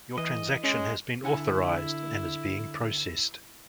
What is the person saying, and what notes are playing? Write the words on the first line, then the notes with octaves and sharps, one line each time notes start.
Your transaction has been authorized and is being processed.
E3 D#5
G#3 C#4
D3 E4 F#5 G#5